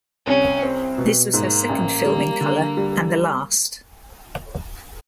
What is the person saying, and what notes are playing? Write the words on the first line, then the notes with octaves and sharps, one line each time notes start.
This was her second film in color, and the last.
C2 C#4
C4
B2
G#2 A#3
A1
G3
D3
G3